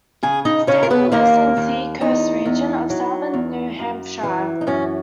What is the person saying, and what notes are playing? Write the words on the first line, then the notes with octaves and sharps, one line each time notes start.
Stanley lives in the Seacoast region of southern New Hampshire.
C#3 G#4 G#5
D#4 D#5
C#3 C#4 C#5
A#4
B3 B4
D#2 A#3 A#4
D#2
E2 D#4
E2
F#3
E2
F#2
E3
D#4
F#2 C#4